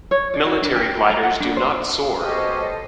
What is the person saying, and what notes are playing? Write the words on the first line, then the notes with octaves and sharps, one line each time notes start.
Military gliders do not soar.
C#5
D5
F#4
D4
G4
A#5
F#5
D4
C5
B2 C#4 G4 A4 C5 D#5